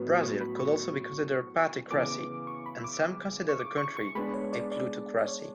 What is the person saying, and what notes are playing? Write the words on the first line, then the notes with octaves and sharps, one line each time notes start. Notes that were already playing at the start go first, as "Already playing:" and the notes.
Brazil could also be considered a particracy, and some consider the country a plutocracy.
Already playing: A2 F#3 B3
C#6
B5
C#6
C#3 E3 B3 D6
C#6
B5
E6
D6
D6
C#6
D6
C#6
C#6
G#3 B3 D4 B5
C#5
D5
D5
D5
C#5